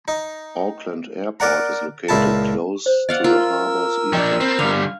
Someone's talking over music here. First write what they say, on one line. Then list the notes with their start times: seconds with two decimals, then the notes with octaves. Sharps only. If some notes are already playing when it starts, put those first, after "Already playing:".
Auckland Airport is located close to the harbour's eastern shore.
0.08 D#4
1.40 A#4 D5 F#5 A#5
2.09 C#2 A#2 E4 A5
2.86 C5
3.09 D5 D#5 F5 F#5
3.24 F4 A#4 E6
4.13 F3 D4 D#5 G5
4.41 C4 B5
4.59 D3 G3 F5